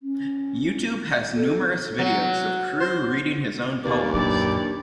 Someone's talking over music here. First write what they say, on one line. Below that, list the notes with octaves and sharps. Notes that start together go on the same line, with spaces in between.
YouTube has numerous videos of Crew reading his own poems.
C#4
A4
F#3
C5
D#2 A#3 G#4 B4 D5
F#2 A#2 D4 E4 G4 D5